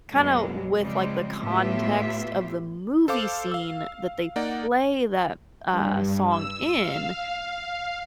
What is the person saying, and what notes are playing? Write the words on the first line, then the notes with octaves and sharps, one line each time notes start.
kinda with, like, the context of the movie scene that they play that, uh, song in,
F#2 B2 F#3 G#3 A#3 B3
C#3 F3 G3 G#3 C4
A2 B3 F4 G4 E5
A4 C5 F5 D6
F5 E6
A#3 D#4 D5 F#5
G2
E6
F5